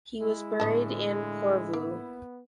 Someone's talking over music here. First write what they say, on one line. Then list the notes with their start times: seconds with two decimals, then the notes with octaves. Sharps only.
He was buried in Porvoo.
0.19 G#3 E4
0.60 A2 D3 G#3 B3 D#5 A5
1.73 A#3 B3